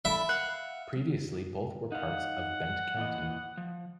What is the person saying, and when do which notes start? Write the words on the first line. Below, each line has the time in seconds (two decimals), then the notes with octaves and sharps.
Previously both were parts of Bent County.
0.05 E4 A4 E5
0.29 F5 F#5
1.92 D#4 F5 F#5
2.97 A#2 E3 D#5
3.57 F3